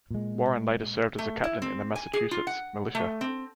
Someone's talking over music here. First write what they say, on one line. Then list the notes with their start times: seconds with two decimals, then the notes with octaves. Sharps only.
Warren later served as a captain in the Massachusetts Militia.
0.11 A#2 G#3
1.19 A3
1.44 E4
1.62 C4
1.96 G#5
2.13 G#4
2.31 F4
2.47 F#5
2.95 A3
3.21 C4